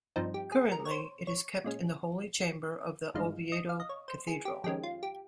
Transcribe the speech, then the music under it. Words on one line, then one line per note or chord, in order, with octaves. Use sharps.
Currently, it is kept in the Holy Chamber of the Oviedo Cathedral.
G2 F3 C4 D#4
G4
G#4
A#4
C#5
C5
C#5
A#2 G#3 C#4
G#1 G2 F3 G#3 D#4 F5
D#5
F5
D#5
C#5
C5
G#4
G4
F2 D#3 G#3 C#4 G4
F4
G4